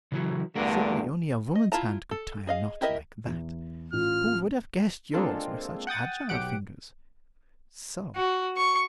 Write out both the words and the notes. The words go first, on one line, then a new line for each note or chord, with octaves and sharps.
Surely only a woman's hand could tie a knot like that,--who would have guessed yours were such agile fingers?--So!
C#3 E3 F#3
E2 G2 D3 A3 A#4
D#5
E4 F4 A5 A#5
A4
G#4 D#5 F5
E4 G4 A#4 D#5 E5
E2
A1 F4 F6
G#3 A#3 C4 D4 F4 A4
F#5 G5 D#6 A6
B1 G4 F#5 D7
F#4
C#6